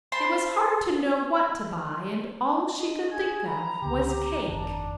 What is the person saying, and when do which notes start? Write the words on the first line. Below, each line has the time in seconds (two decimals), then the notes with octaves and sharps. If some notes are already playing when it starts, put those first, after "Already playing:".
It was hard to know what to buy and all she could think of was cake.
0.12 C5 A5 B5 C6
2.76 D4 D#5
3.12 G#4 G#6
3.47 A#5 B5
3.82 C#2 D3 G4
4.48 G1 F2 D#3 D4